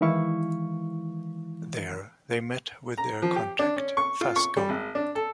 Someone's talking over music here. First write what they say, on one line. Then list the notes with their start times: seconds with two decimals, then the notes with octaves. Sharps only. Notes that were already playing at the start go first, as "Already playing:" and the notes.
There, they meet with their contact, Fasgo.
0.01 D#3 E3 G#3 E4 F5 C#6
2.98 A#5
3.22 F3
3.36 G4
3.59 D4
3.76 C#4
3.97 C#6
4.21 F4
4.36 C#6
4.57 G3
4.69 G#1
4.95 D4
5.15 A4